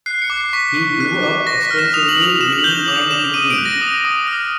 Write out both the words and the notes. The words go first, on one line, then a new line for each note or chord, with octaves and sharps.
He grew up extensively reading and thinking.
F#6 C7
C#7
D6
C7
C#6 B6
C#6
F#6
D6
C#6 A#6
B6
F6
E7
D#6 F7
F#7
D#6
F#7
D#6 E7
F#7
G6 G7
F#7
D6 F7
D6 E7
D#6 D#7
D7
F#6
A#6
D#6
D#6
F6